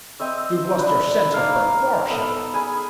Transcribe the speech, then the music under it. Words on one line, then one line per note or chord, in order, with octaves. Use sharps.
You've lost your sense of proportion.
C4 D#5 E5
D4 B4
A#3 D#4 A#4 F5
B3 A4
G#4 G#5 B5